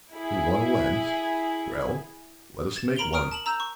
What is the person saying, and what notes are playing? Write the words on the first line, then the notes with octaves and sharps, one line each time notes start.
"We want a lens; well, let us make one."
E4 G#4
G#6 A6 E7
A#4 A#5 B5 D7 F7 G7
A#5 C#6 D#6 F6 D7
A5 E7 F#7
A#5 E6 G6 E7
C#6